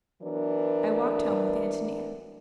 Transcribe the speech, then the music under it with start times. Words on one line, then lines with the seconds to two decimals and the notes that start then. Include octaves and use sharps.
I walked home with Antonia.
0.23 E3 F#3 B3 D4 A#4